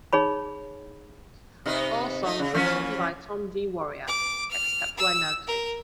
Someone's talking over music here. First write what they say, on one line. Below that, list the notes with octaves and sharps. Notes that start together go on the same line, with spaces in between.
All songs written by Tom G. Warrior, except where noted.
D#4 G#4 C#5 B5
C3 D#4 B4
A3 D#4
C#3
E3 F3 C#4
D6
F6
E6
A#4